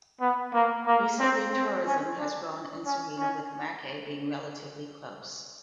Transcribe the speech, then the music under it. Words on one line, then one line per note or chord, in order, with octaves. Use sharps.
Recently tourism has grown in Sarina with Mackay being relatively close.
B3
A#3
A#3
C4
C4
C#4
D4
C#4
C#4